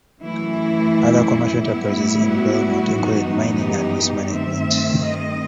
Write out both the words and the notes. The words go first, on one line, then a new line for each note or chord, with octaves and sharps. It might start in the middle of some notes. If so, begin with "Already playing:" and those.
Other commercial enterprises in Belmont included mining and waste management.
F#2 E3 A3 E4
A2 G3 B3 E4
F#4
F#2 E3 B3 D#4
G4
G2 D#3 A3 C4 E5
D#5